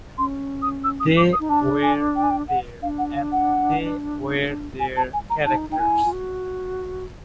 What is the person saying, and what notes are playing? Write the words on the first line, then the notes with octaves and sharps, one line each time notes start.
They were there, and they were their characters.
C#4 C6
D#6
E6
D#6
D6
D#6
D#4
D4 A5
G#5
G5
G#5
G5
F#5
D4 F5
F#5
F5
F#5
G#5
A5
G#5
A#5
D#4 A5
D#4 G5
E4 G#5
F4
F#4